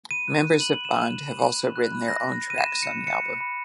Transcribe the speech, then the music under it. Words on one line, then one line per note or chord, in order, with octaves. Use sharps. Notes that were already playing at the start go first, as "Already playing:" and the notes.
Members of Bond have also written their own tracks on the album.
B5 D#7
F#6
F#6
B5 F#7
B5
E7
F#6
F#6
B5
B5
F#6
F#6
B5
B5 A#6
F#6
F#6
D#7
B5 E7
B5
C#7
F#6
F#6 C#7
B5
B5